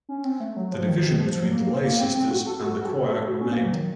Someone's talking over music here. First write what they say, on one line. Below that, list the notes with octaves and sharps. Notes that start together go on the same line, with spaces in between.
The division between the lay sisters and the choir remained.
C#4
C4
A3
F#3
F3
D#3
F3
F3
F#3
A#3
A#3
C4
C4
F#4
A4
F#4
F#4
A4
F#4
A4
F#4
C#4
A#3
F#3
D#3